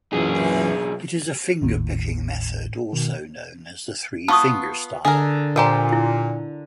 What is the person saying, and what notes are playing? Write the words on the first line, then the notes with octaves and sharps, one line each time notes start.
It is a fingerpicking method, also known as three-finger style.
B1 F#2 A#2 E3 G#4
G#1 D#2 A2
B2 D#3
B3 F4 A5 C#6 D#6
D3 G#4 A#4
A#2 F4 G4 A#4 C5 G#5 A#5
E4